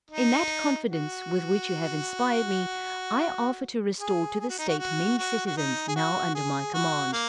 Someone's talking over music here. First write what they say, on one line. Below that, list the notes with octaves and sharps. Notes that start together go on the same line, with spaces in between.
In that confidence, with which you have inspired me, I offer to restore to the state many citizens, now under my command.
D#4
F#4
G#4
G#4
F#4
D#4
F#4
F#4
F#4
F#4
D#4
G#4
F#4
G#4
F#4
A#3